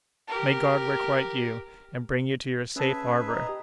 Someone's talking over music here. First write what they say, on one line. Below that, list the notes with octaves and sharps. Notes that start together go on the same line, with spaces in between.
May God requite you, and bring you to your safe harbor!
G4 A#4
C#4 G#4 B4 E5 A5
D#4
G4 D#5